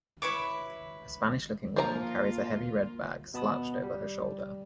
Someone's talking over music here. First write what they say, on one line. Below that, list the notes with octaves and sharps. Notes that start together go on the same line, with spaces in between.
A Spanish looking woman carries a heavy red bag slouched over her shoulder.
E4 B4 C#5 D6
F3 A#3 F4 A4 A#5
B2 B3 A5 B5 D#6
G3